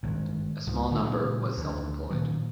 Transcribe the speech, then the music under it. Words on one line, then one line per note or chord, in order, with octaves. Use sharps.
A small number was self-employed.
G#1 G2
C#2 G#2 F3
D3 A3
A#2 C#3 G#3
D2
A#2 D#3 F#3